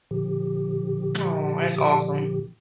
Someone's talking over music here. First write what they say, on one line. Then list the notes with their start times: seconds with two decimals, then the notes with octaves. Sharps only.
Aw, that's awesome.
0.11 A#2 D3 F3 G4